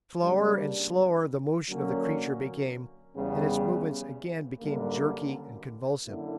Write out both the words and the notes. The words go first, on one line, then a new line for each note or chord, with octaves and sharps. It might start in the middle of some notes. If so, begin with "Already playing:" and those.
Slower and slower the motion of the creature became, and its movements again became jerky and convulsive.
C#3 G3 A#3 D4
D3 F#3 A#3 C#4
E2 C#3 G3 B3
F#2 D3 G3 A#3
F#2 D3 A#3 E4